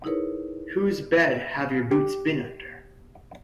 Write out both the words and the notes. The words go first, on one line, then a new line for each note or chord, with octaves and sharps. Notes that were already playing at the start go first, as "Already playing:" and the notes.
Whose Bed Have Your Boots Been Under?
D#4 E4 G#4 A#4 B4 C#5
G4